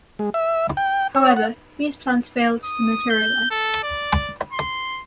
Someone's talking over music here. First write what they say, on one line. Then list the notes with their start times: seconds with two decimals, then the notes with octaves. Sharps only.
However, these plans failed to materialise.
0.19 G#3
0.34 E5
0.77 G5
1.15 C#5
1.37 F#5
2.64 D#6
3.09 G6
3.51 A4
3.83 D5
4.53 C6